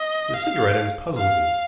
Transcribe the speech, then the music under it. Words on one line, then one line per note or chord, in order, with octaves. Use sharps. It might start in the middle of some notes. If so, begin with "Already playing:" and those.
The cigarette-ends puzzled me.
Already playing: D#5
F5
F5